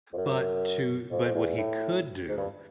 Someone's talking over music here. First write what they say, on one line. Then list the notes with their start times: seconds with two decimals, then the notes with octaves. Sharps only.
But to but what he could do,
0.13 F2
0.17 F#2
1.11 F2
1.25 F2
1.35 E2
1.58 A2
2.28 G#2
2.37 G2